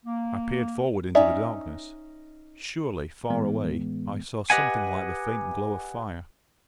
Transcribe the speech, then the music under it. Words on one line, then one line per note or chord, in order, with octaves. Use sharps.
I peered forward into the darkness: surely, far away, I saw something like the faint glow of fire.
A#3
C#4 D#4 D5 E5
A2 E3 G#3 B3
G4 B4 D#5 F#5 G#5